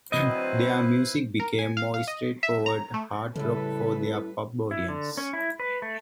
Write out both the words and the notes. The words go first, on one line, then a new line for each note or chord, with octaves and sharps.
Their music became more straightforward hard rock for their pub audiences.
D2 F#3 C4 E4 B4 C5 D#5
A#4
G#5
F5
F5
D#5
E5
A#5
A3
F#2 A2 C#3 G3 A4 B4
E4
D3
C#4
E4
B4
A3